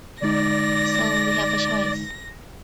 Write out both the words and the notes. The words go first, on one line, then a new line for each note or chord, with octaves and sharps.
So—we have a choice.
D3 G#3 D#4 D5 A#6